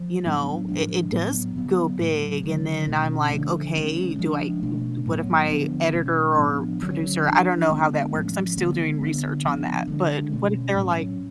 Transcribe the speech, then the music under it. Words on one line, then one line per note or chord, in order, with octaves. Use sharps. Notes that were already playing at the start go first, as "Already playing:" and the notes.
you know, i it does go big?" And then I'm like, "Okay, do I u do what if my editor, or producer" I don't know how that works, I'm still doing research on that, but what if they're, like
Already playing: F3
A2 F#3 B3 D4
A2 F3 G#3 D4
A2 F#3 B3
C#3 F#3 B3
A2 F#3 A3
D3 F#3 C#4
B2 A3 C#4
D3 F3 A3 D4
C#3 G#3 C#4
F3 G#3 B3 D4
B2 A3 D4
A2 F#3 B3
D3 F3 B3 D4
B2 G#3 C#4
A2 F3 B3 D4
D3 F#3 C#4
F3 B3 D4
D3 G#3 B3 D4
A2 F3 A3 C#4
D3 G#3 B3
D3 F#3 B3 D4
C#3 F3 B3 D4
D3 G#3 D4
B2 A3 C#4
A2 F#3 C#4